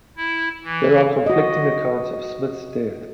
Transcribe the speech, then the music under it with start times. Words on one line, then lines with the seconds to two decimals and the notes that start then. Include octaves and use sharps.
There are conflicting accounts of Smith's death.
0.17 E4
0.64 E3
1.26 F#4 D#5